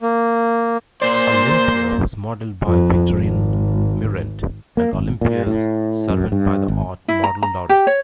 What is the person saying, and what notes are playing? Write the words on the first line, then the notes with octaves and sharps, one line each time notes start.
Olympia was modelled by Victorine Meurent and Olympia's servant by the art model Laure.
A#3
A#3 C5 D5
F2
G#1
A#3
G#1
A#2
A2
F#2
G2
G#1
E4
A#5
A#5
G4
C#5